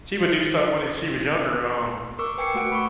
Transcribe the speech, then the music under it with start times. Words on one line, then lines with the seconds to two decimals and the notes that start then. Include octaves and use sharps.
she would do stuff when e she was younger um,
2.19 A#4 C#6 D6 E6
2.38 B4 G5 G#5 D6 C7 C#7
2.54 A3 F#4 F#5 D7
2.72 B5 C#6